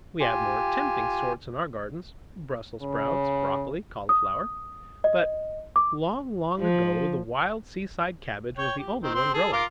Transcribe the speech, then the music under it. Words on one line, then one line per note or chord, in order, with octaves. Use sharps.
We have more tempting sorts in our gardens--Brussels Sprouts, Broccoli, Cauliflower, but long, long ago the wild seaside cabbage was the only one growing.
F4 G4 G#5
C#3
D#6
D#5
D6
F3
C#5 G5
G4
D#3 C4
C4 C6
G#4 A4
F4 A#4 D6